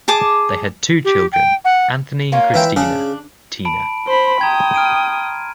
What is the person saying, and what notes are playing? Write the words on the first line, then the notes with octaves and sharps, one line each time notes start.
They had two children, Anthony and Christina "Tina".
G#4 A5 D6
G4
G5
F#5
A#3 C#4 F4
E3 E4 G5
C#3 D4 G#4
A5 B5 D7
C5 B5 C6
G5 A#5 D#6 G#6
F6 D7 D#7